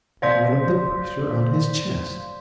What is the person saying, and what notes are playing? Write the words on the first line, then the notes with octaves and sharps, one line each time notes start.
But what of the pressure on his chest?
C5 D5 F5 C6 G6 B6